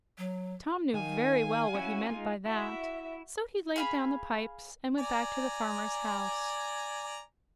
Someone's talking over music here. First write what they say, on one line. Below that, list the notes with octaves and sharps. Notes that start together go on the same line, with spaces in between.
Tom knew very well what he meant by that, so he laid down the pipes, and went back to the farmer's house.
F#3
D#3 F5 G#5
C#4 E4 F#4
G#3 D#4 F4
E4 F#4 E5
G#4 F5 B5
D5 G#5 A#5